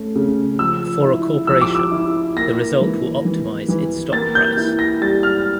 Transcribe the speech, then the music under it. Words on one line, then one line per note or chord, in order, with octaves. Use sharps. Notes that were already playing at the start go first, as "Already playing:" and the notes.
For a corporation, the result will optimize its stock price.
Already playing: A3 C#4
C#3
F3 E6
E4
F3 E6
D6
E6
E4
A#3 A#6
E3
E3
E3
A#3 A6
G6
E4
A#6
G3 A6
F6